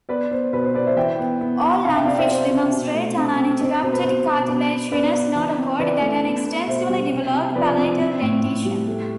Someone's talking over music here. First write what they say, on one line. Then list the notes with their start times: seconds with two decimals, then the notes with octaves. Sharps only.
All lungfish demonstrate an uninterrupted cartilaginous notochord and an extensively developed palatal dentition.
0.09 B3 B4 D5
0.31 B3 C5
0.53 B2 B4
0.64 C5
0.74 B3 B4 D5
0.86 C5 E5
0.96 E3 E5 G5
1.19 B3
1.41 B3
1.63 B3
1.84 C3 F5 A5
1.96 E5 G5
2.07 C3 D5 F5
2.18 C5 E5
2.28 C3 C5
2.50 C3
2.72 B2
2.94 A3
3.16 C4
3.38 C4
3.60 C4 C5
3.71 C5
3.83 B2 C5
3.93 B4
4.04 B2 C5
4.26 B2
4.48 B3
4.70 B3
4.92 B3 B4 D5
5.14 B3
5.36 E3
5.58 C4
5.80 E3 B4 D5
6.01 A3
6.24 B3
6.46 B3
6.68 B2 C5 E5
6.89 G3
7.11 C3
7.33 C3
7.55 F3 B4 D5
7.77 C4
7.99 C4
8.21 A2
8.44 A2
8.65 G3
8.87 A3